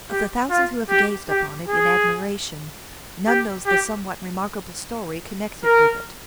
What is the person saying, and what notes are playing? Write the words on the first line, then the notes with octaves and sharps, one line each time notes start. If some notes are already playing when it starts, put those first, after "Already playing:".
Of the thousands who have gazed upon it in admiration, none knows the somewhat remarkable story connected with it.
G4
F4
G4
G4
G#4
G4
G4
A#4